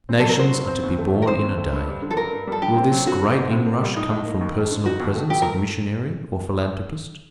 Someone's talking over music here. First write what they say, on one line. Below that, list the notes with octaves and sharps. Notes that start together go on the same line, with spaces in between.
"Nations are to be born in a day." Will this great inrush come from personal presence of missionary or philanthropist?
C4
F#3 A4
A#4
F#4 C5
G2
C4
D#2
A3
D#3
A#4
C4 C5
D#2
A3
G2
G3
D3
A4
G2 A#4
G2
G3 A4
D3 G4
C4
F#3
D3 F#4
D3
C4
A2
A#3
G3
A2 D#4
A2
A#3
D#2
A3
D3
D#4 F#4
D#2
A3
G2 G4
A3 A#4